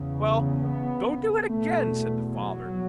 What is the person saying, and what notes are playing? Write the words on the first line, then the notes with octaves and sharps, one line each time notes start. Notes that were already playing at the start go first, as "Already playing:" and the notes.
"Well, don't do it again," said the father.
Already playing: E2 C#3
B3
E2 B2 A3
F#3